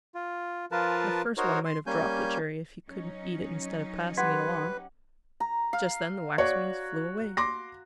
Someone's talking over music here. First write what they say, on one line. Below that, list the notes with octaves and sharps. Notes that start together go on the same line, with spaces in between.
"The first one might have dropped the cherry if he couldn't eat it instead of passing it along." Just then the Waxwings flew away.
F4
F3 F4 A#4 B4 A5
D#4 F#4 A#4 C5 C#5
C6
G3 A#3 C#4 G#5 G6
F#3 C#4 D#4
G4 B4 F#5 C6 G#6 B6
A#5
F5
F#4 C#5 D5
C6 D6 A#6